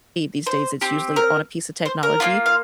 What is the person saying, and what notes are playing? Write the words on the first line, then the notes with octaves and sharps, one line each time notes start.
these days, it's usually on a piece of technology,
C5
C4 G4
A#4
C5
A#4
A#3 D4 F4
F5